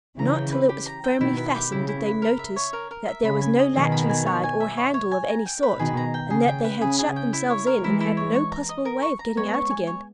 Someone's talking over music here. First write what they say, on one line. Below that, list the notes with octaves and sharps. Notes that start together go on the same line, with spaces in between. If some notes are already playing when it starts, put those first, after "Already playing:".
Not till it was firmly fastened did they notice that there was no latch inside, or handle of any sort, and that they had shut themselves in, and had no possible way of getting out again.
C#3 E3 A#5
G5
B4
G4
A#5
G5
B2 D#3 E4
B4
G4
C#3 E4
E4
B4
A#4
E5
C#5
A#4
A#4
E5
C#3 B5
G#5
D#5
B2 D#3 G#4
B5
G#5
C#5
G#5
E5
C#5
C#5
G#5
A#5
G5
B4
B2 D#3 G#4
A#5
G5
C#3 G#4
G5
B4
C#3 G#4
G#4
G5
E4
C#5
A#4
E3 G#3 E4
E4
C#5
C#6
A#5
D#5
A#4
C#6
A#5
G#3 B3 C#5
C#6
G#5
C#5